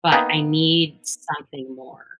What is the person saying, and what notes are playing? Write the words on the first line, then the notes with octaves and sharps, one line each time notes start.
but I need something more,
A#3 B3 D#4 G5